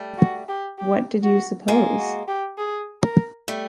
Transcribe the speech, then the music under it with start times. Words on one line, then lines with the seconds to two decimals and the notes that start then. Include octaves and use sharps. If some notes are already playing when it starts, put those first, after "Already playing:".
What did you suppose?
Already playing: G3 A3
0.18 F#4
0.48 G4
0.78 G4
1.23 F#4
1.68 G#3 A#3 F4
1.98 F#4
2.28 G4
2.58 G#4
3.03 A#4
3.48 G3 A3